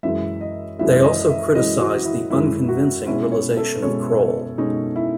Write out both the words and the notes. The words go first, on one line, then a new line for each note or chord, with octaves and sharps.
They also criticised the "unconvincing" realisation of Kroll.
F#2 E3 G#3 E5
D#5
F#2 E3 G#3 E5
D#5
E5
F#2 E3 G#3 D#5
F#4
E4
F#2 E3 G#3 E4
F#4
B2 G#3 C#4 E4
C#5
A4
B2 G#3 C#4 C#5
B2 G#3 C#4 D#4
E4